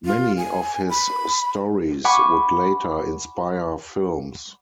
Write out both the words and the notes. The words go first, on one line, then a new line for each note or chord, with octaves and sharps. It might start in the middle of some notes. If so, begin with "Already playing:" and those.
Many of his stories would later inspire films.
F4
G#5
B5
F#5 G#5 B5 C#6 D6